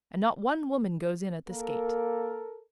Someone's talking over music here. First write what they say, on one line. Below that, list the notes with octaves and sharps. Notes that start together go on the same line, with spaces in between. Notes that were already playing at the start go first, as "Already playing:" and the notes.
And not one woman goes in at this gate.
A#3 A4 A#4